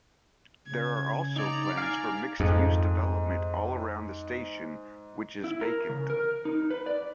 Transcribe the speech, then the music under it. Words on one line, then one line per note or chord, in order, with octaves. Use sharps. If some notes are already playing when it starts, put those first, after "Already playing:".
There are also plans for mixed-use development all around the station which is vacant.
C#3 G#6
D#4 D5 A#5
D#4 F5 G#5
F2 G#2
E4
A#4
C#3
A#4
D#4
B4
D5